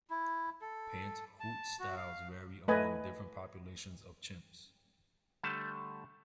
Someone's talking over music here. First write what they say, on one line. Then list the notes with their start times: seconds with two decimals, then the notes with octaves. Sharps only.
Pant-hoot styles vary among different populations of chimps.
0.10 E4
0.61 A4
1.40 A5
1.80 F#4
1.97 F5
2.68 A3 B4 D#5 G#5
5.43 D3 G3 A3 A5